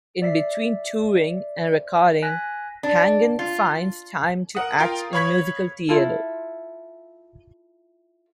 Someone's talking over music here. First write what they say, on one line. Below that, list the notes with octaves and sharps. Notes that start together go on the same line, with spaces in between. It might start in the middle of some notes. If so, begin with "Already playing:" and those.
In between touring and recording, Pangan finds time to act in musical theater.
D5 E5 B6 C7
G#5 F#6 A#6 B6
D4
F4
A#4 F#5 D#6
F4 A#4 F5 G5
C#5 F5 B5 C#6 G#6 B6
E4 F4 A4